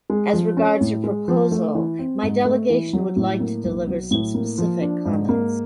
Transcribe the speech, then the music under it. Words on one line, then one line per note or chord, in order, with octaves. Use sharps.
As regards your proposal, my delegation would like to deliver some specific comments.
G#3
F3
C#4
A2
G#3
F3
A3
E3
C4
G#2
A3
E3
F#3
A2
A#3
B1
F#3
A2
A#3
F3
D4
G#2
A#3